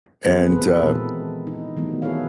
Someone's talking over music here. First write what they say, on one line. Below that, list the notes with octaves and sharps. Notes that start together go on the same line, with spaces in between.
and, uh,
E3 B3 C4 G#4 B4 C5
D#3 F#3 A#3 C4 A4 B4
A#2 E3 G#3 E4 A4 A#4
D#4
D#3 E3 F#3 G3 A3 B3
E4 G#4 A4 B4 C#5 F5